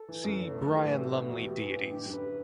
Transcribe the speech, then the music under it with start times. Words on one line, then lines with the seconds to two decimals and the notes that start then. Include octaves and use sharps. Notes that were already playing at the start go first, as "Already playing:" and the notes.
See Brian Lumley deities.
Already playing: A4
0.09 E3
0.24 F#2
0.39 F#1
0.54 A3 A4
0.69 E3
0.76 G4
0.84 A2
0.99 A3 F#4
1.15 B2
1.30 E2
1.45 B3 G4
1.60 E3
1.75 A2
1.90 D3 G4
2.06 F#2
2.14 B4